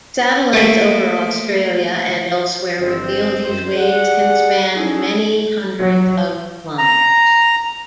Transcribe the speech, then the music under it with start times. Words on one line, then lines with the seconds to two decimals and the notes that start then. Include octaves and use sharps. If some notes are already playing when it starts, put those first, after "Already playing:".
Satellites over Australia and elsewhere reveal these waves can span many hundreds of kilometers.
0.53 A3 A#3
2.77 G1 C4
3.45 F#2 C5
3.74 G4 G#4 D5 F#5
4.76 C#4 D#4 E4 F#4 G#4 A4
5.80 F#3
6.78 A#5